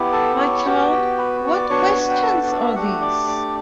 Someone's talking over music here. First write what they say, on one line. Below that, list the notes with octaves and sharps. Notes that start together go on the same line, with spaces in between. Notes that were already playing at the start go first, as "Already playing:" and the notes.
My child, what questions are these!
Already playing: B3 E4 G4
A4 A5
C#5 C#6
B3 F#4 G4 G5
G4 G5
B4 B5
C#6
D5 D6
B3 D4 F#4 C#5 C#6
B4 B5
G5
A4 A5
D5
E5
A3 D4 F#4 G4 F#5
D5 D6
D5 D6